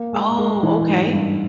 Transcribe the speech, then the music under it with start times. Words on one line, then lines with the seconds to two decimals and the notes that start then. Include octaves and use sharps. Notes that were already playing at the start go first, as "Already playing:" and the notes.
Oh, okay.
Already playing: A#3
0.13 G#3
0.37 G#3
0.63 E3
0.88 G#2
1.13 G2